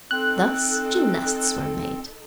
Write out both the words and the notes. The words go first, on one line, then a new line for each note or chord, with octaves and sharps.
Thus gymnasts were made.
C4 D#4 A4 F#6